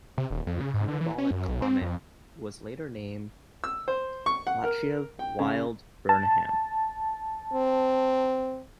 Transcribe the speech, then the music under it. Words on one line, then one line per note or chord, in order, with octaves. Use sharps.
The parabolic comet was later named "Latyshev-Wild-Burnham".
C3
D#1
F2
C#3
G#2
D3
E3
C#4
F#2
B1
C4
F2
E6
C5
C#6
F#5
A#4
G5
C#3
A5
C4